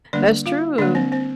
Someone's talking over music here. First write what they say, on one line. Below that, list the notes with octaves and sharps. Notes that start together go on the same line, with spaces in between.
That's true.
D3 G3 A#3 D4 D5
F4 F5
D3 G3 A#3 D4 D5
C4 C5
C4 C5